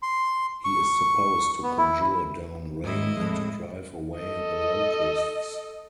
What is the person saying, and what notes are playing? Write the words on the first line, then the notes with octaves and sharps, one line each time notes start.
He is supposed to conjure down rain and to drive away the locusts.
C6
C#6
B3
E4
D#2 G#2 C#4 E4 D#5
F2 A2 G#3
A4 D#5